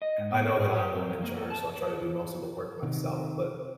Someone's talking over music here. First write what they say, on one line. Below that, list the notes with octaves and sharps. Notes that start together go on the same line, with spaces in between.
I know that I'm the one in charge, so I try to do most of the work myself, but,
D#5
G#2
B3
C4
G#4
G4
C4
F3
A#3
A4
A5
C3 D#3